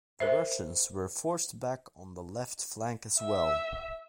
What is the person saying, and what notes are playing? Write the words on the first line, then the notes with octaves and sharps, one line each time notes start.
The Russians were forced back on the left flank as well.
A#4 C5 E5
E5